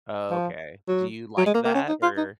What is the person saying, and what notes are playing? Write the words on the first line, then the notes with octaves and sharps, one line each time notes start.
Oh, okay. Do you like that? Or
F3
F#3
F#3
G#3
A#3
A#3
C#4
D#4
F4
D#4